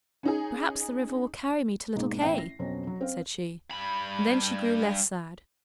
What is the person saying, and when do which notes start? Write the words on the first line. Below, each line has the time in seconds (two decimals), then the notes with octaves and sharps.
"Perhaps the river will carry me to little Kay," said she; and then she grew less sad.
0.23 C#4 D#4 G#4
1.96 G#2 B2 G#3 A#3 D#4
2.21 A1 C4 E5 G5 C7
2.38 A#6
2.59 F2 B2 F#3 C4 C#4
2.87 F#3
3.01 C4 F5
3.71 G2 B5